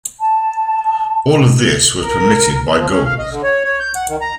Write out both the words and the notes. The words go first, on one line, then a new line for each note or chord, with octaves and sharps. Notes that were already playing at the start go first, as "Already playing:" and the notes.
All of this was permitted by Gould.
A5
A#4
F3
C#4
F5
D#5
D3
C#5
C#5
G6
F#5
D#3
A#5